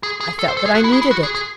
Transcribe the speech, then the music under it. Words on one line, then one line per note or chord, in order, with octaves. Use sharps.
I felt that I needed it.'
G#4
G#4
A4
C5
A4
G#4
F#4
E4
G#4
E4
F#4
G#4
G#4